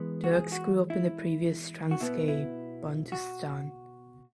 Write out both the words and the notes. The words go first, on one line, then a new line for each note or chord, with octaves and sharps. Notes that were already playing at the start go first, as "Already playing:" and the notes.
Dirks grew up in the previous Transkei bantustan.
Already playing: E3 G#3 B3
F#4
G#4
F#4
E4
F#4
B2 B3 E4
E4
F#4